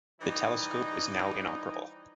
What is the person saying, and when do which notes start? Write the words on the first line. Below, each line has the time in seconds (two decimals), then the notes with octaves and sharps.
The telescope is now inoperable.
0.21 E3 F3 G3 D#4